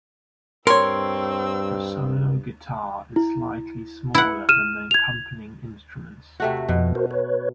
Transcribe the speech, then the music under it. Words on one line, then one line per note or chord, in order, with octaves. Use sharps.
The solo guitar is slightly smaller than the accompanying instruments.
G2 C4 A#4 C#5 C6 E6
E4
E4 F#5
F6 D#7 E7
G#6 F7
C3 A3 F#4
F2 B2 F3
F#4 A#4 C5
B4 C#5